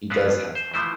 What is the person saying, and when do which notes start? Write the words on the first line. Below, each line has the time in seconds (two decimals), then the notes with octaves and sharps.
He does have heart!
0.10 B3 C#4 E4 F4 G#4
0.55 C5
0.74 E3 F3 A3 E4 C5